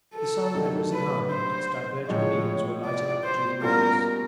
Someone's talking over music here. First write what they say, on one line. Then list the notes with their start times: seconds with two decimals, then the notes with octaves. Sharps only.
The sun had risen high and its diverging beams were lighting up the dewy grass.
0.15 A4
0.54 G2 D#3 F#3 A3
0.92 B4
1.31 C5
2.08 A2 F3 G#3 C#5
2.84 D5
3.24 C5
3.62 B2 G3 A#3 C#4 F4 A#4